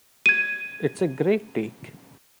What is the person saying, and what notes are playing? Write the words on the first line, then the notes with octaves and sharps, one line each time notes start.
It's a great take.
G#6 D#7